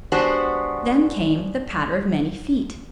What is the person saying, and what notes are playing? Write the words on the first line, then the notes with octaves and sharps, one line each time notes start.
Then came the patter of many feet.
G#3 B3 D4 F#4 G4 C5